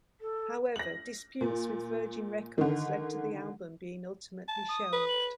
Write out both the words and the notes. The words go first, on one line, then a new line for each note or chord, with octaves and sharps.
However, disputes with Virgin Records led to the album being ultimately shelved.
A4
A#6 F#7
A#2
D3 D#3
A5
D#6
B4
F#7